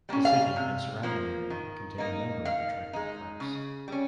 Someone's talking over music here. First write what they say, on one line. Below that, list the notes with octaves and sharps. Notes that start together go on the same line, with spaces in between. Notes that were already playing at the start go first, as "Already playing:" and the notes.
The city and surrounding area contain a number of attractive parks.
G3 A#3 C#4
F5
C3
F3 A#3
D#3
A#3 D#4
D#3 F5
G#3 D#4
C#3
G3 C#4